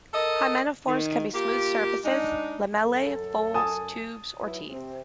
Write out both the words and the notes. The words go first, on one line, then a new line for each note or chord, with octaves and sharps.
Hymenophores can be smooth surfaces, lamellae, folds, tubes, or teeth.
A4 A#4 D#5
D#3
A#3 F4 G4
G#3 D4 D#4
F#2 A4
G#5 A5 D#6
F#3 E4 B4
C3 C4